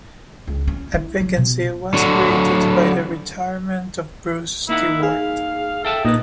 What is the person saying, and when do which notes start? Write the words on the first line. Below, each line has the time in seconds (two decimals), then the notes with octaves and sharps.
A vacancy was created by the retirement of Bruce Stewart.
0.47 C#2
0.67 C#4
0.94 E4
1.20 F#3
1.36 B2
1.94 D3 F#3
4.69 A#3 D#4 E4 F#5
5.03 G#4 F5
5.85 A4 E5 G5 A5
6.05 A#2 D#4 B4 D#5